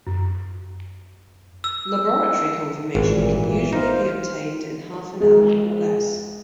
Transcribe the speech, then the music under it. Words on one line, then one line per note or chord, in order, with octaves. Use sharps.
Laboratory confirmation can usually be obtained in half an hour or less.
F#2
E6
G#1 A#2 E3
D#4 C5 F5
G#3